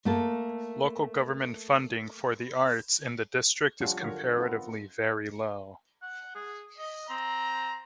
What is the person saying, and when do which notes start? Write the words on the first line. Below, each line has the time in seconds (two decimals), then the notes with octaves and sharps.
Local government funding for the arts in the district is comparatively very low.
0.05 A3 A#3 A4
3.80 F3 G3 C#4 D4 F4 F#4
4.00 D3 F#3 F4 F#4 A#4 C#5
4.37 B3 C4 D#4 F4 A4 A#4
6.02 F#5
6.35 G#4
6.78 D#5
7.10 C4 A#5